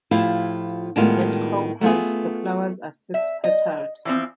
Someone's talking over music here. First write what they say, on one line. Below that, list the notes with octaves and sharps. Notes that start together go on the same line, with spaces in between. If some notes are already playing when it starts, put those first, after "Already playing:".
At Conques the flowers are six-petalled.
A2 F3 E4 F4 G4 F5
A2 D#3 G3 G#3 B3 F4
A3 B3 F4 G#4
E5
D#5
E3 F3 C4